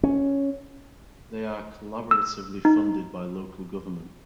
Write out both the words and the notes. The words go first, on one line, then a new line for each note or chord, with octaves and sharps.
They are collaboratively funded by local government.
C#4
E6
D#4